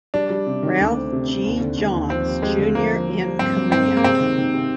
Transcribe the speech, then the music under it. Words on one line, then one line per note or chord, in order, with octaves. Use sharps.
Ralph G. Johns, Junior in command.
G3 D4
G3
C3
D#3
D2
C4
C3
C4
D#2
D3
D#2
D#2
F3 C4
G4
G#3 G4
D3
F3 A#3
F3
F3
F3
G2 C4
G2
G2 C4
G#3
A#3
C3 C4
D#3
D#3
C3